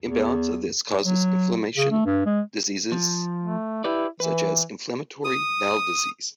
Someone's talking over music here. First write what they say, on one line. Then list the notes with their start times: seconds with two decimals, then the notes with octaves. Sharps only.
Imbalance of this causes inflammation diseases such as inflammatory bowel disease.
0.03 E2
1.05 F#3
1.78 C#3
1.91 A3
2.06 G2
2.26 G#3
2.92 F3
3.43 A3
3.84 E4 G4 B4 D5
4.20 E3 B4
5.25 D#6